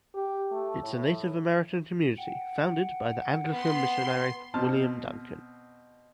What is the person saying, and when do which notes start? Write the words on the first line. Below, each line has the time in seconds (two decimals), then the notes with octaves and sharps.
It’s a native American community founded by the Anglican missionary William Duncan.
0.14 G4
0.51 A3
0.83 A2
2.17 F#5 G5
3.52 B3 C6
4.54 B2 C4 A5 F6